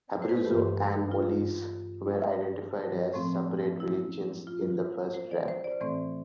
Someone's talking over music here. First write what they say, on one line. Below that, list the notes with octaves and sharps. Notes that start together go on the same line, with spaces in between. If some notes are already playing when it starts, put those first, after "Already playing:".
Abruzzo and Molise were identified as separate regions in the first draft.
C5
B4
A4
G2 E3 A3 G4
F4
A2 F3 A3 C4
E4
F4
C5
D5
C5
D5
A2 E3 A3 C4 D5